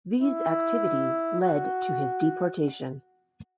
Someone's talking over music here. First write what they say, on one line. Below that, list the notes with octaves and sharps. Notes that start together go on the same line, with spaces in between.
These activities led to his deportation.
E4
F#4